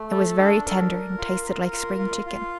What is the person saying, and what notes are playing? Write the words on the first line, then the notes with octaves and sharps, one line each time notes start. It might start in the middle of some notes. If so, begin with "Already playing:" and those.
It was very tender and tasted like spring chicken.
Already playing: A3
A4
D4
A#4
A#4
F4
A#4
F4
F4
F4